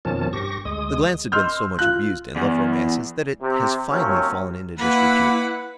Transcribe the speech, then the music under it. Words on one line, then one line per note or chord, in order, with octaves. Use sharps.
The glance has been so much abused in love romances that it has finally fallen into disrepute.
F2 B2 D#3 F3 C#4 A5
G2 G4 C#6 A#6
D2 G#3 D#6
D#5 C6 E6 F6 G6
F4 F#6
E2
C3
D#2 F#3 A3 C4 C#4
A#3 E4 B4 F#5 B5